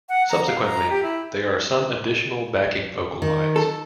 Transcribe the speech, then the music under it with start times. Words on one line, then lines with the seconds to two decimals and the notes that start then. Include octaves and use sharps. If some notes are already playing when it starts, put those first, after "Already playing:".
Subsequently, there are some additional backing vocal lines.
0.09 F#5
0.29 A#5
0.47 F5
0.64 A#5
0.90 G4
1.03 E4
3.22 D#3
3.56 A4